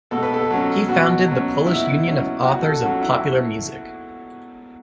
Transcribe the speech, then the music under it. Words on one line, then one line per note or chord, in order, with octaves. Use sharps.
He founded the Polish Union of Authors of Popular Music.
B2 A4
B4
A4
F#3 C#4
B2 F#4
F#3 C#4
B2 E4
F#3 C#4
B2 F#4
A4
F#3 C#4 F#4
E4